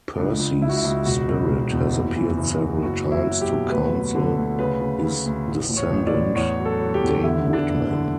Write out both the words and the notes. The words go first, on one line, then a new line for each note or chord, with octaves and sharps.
Percy's spirit has appeared several times to counsel his descendant, Dane Whitman.
C#2 D4
C#2
C#2 E4
F#4
E4
C#2
E1 F#4
E1
E1
E2
F#1
E3
F#1
F#1
F#1 F#4
F#3
E4
F#3
G4
B2
D2 B4
F#3
D3
D2
C#3 B4
C#3
D2
D2
A1
A1
C#5
A1
D5
A1
E2 C#5
F#3
A4
F#3
G4
E2
D3 E4
E2
D4
F#1
D3